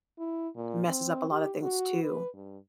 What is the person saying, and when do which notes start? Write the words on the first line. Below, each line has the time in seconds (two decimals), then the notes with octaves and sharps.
messes up a lotta things, too.
0.18 E4
0.56 A#2
0.88 C4
1.31 G4
1.63 F#4
2.03 B4
2.34 G2